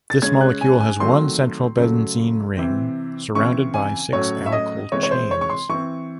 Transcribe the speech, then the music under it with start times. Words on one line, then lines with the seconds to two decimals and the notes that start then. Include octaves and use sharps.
This molecule has one central benzene ring surrounded by six alkyl chains.
0.10 A6
0.22 C#3 G#3 C#4 G#6
0.41 F#6
0.61 G#5
0.80 G#5
1.00 D#3 F#3 A3 C4 C6
1.78 C#3 F#3 A3
2.57 C3 E3 C4
3.35 C#3 E3 C4 C#6
3.74 G#5
4.13 A2 F#3 C#4 C#5
4.46 E5
4.52 D#5
4.92 C3 E3 G#3 C4 C#5
5.03 C#5
5.11 C5
5.31 C#5
5.41 C#6
5.50 C6
5.69 E3 C4 C#6